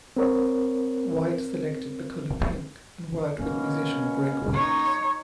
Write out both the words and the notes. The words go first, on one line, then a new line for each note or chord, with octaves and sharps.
White selected the color pink, and worked with musician Greg Weeks.
C4 A#4 C#5
B2 A#3 C#4
D#4 C#5